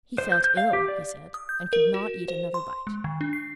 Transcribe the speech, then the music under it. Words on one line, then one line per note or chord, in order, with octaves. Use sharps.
He felt ill, he said, and could not eat another bite.
C5
G6
G6
F5
G4
D5
D#6
G6
A#4
F#4
C5
C6
G#3
D#3
D4
C7